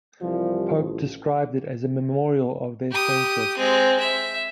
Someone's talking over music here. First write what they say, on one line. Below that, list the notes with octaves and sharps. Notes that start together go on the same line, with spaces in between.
Pope described it as a memorial of their friendship.
C2 E3 F3 G3
A1
G4 D#6
G#3 C4
E5